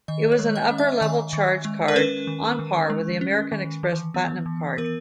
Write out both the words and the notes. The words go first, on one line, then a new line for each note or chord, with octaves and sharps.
It was an upper-level charge card on par with the American Express Platinum Card.
D#3 D#5
C#5
G#3
D#5
C#4
E5
D#3 G#5
D#3
G#3
A#4
C#4 B4
D#3
D#3
G#3
C#4
D#3
E3
B3
E3
B3 A#4